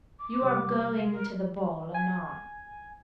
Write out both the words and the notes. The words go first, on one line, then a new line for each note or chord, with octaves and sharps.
You are going to the ball anon. . . .
D6
C3 G3
F5
A#4
G#5